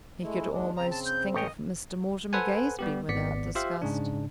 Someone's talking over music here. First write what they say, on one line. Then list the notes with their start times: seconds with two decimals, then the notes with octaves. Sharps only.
He could almost think of Mr. Mortimer Gazebee without disgust.
0.23 G#3 A3 E4
0.51 D#2 G#3 D4
0.76 C#3 C4 A#5
0.91 A5
1.05 G6
1.34 A1 C#5 D#5 G5
2.33 A4 B4 C5 F#5 G#5
2.79 G3 B3 G4
3.09 G#1 B3 D5 B6 C#7
3.55 F4 G4 C5 E5 F5
3.82 G#2 C#3 D4